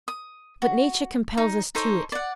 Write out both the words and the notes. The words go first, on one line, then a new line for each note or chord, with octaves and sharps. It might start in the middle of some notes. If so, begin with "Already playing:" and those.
But nature compels us to it.
D#6
F#4
D#4
D#4 A4 C5 C#5
D5 F#5